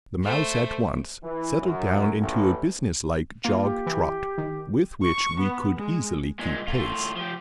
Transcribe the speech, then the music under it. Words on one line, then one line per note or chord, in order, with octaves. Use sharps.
The mouse at once settled down into a business-like jog-trot, with which we could easily keep pace.
A3 C5
E3
F#2
A1
A#3 F4
G4
E3
D#3
C#6
B3
G#3
A#2 G#3
A2 F4
F3 G4